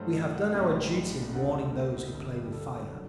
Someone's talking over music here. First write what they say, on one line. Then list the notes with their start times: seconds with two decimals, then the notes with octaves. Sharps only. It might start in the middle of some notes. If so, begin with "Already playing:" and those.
We have done our duty in warning those who play with fire.
Already playing: G2 F#3 A3 C5
0.14 D#5
0.34 F#5
0.54 A#1 A2 G3 C4 D#5
1.32 D2 D3 G3 C4 F#5
1.52 D#5
1.72 A#4
2.12 G1 G2 D3 G3
2.43 G4
2.52 A4
2.92 D#3 F#3